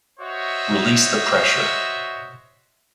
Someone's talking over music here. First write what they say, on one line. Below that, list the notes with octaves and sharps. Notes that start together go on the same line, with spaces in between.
Release the pressure.
F#4 C5 C#5 D#5 E5